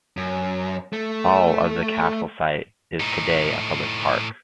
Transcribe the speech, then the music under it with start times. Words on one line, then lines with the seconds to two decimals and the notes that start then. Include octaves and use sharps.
All of the castle site is today a public park.
0.17 F#2
0.93 A3
3.00 A2 D#4